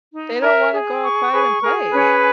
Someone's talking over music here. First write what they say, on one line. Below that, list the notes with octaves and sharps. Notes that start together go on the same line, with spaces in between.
They don't wanna go outside and play.
D#4
A#4 E5
G#4
C#6
G#4 B4
G#4 A#4
C#4 B4